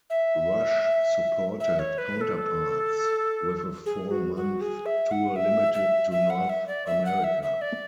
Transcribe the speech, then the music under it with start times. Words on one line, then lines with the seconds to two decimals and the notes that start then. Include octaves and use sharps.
Rush supported "Counterparts" with a four-month tour limited to North America.
0.10 E5
1.60 E5
1.79 C#5
1.98 B4
2.17 B4
2.21 A4
3.86 G#4
4.11 F#4
4.36 F#4
4.61 G#4
4.86 E5
5.11 F#5
5.36 E5
5.74 E5
6.11 E5
6.30 F#5
6.49 E5
6.67 D5
6.86 E5
7.05 F#5
7.24 E5
7.43 E5
7.62 D5